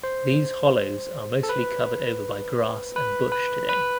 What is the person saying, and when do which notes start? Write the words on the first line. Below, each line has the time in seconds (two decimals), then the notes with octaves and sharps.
These hollows are mostly covered over by grass and bush today.
0.04 C5
1.43 A4
1.49 B4
2.96 B4
3.32 B4
3.69 B4